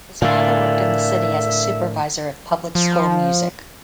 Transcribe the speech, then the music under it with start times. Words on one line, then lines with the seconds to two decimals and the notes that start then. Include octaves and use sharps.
His father worked in the city as a supervisor of public school music.
0.22 A2 D3 A#4 D5 E5 F5
2.75 F3